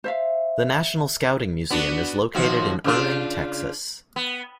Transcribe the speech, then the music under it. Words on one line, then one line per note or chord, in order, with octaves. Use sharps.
The National Scouting Museum is located in Irving, Texas.
C5 E5 F5
B3 D4 F#4
D#2 F3 F#4
C#3 D4 F4
B3